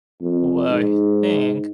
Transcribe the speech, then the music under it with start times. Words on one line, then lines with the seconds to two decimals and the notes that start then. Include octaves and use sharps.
what I think,
0.21 F2
0.70 G#2